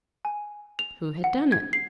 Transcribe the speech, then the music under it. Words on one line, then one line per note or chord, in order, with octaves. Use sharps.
Who had done it?
G#5
F7
F#5
G#6
C7